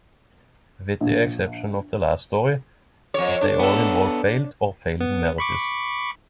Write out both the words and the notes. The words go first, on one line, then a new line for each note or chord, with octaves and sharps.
With the exception of the last story, they all involve failed or failing marriages.
A#1
F2 C#5
D4
B3 A4
B3
B5 C#6 D6